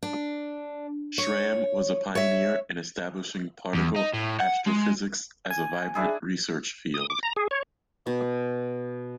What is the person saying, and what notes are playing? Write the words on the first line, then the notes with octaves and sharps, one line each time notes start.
Schramm was a pioneer in establishing particle astrophysics as a vibrant research field.
D4
C#5
C#5 E5
E2
D#4
A2
F#5
G#3
G#5
D4 E4 G#4
D#6
D6
A#5
G#4
C#5
B2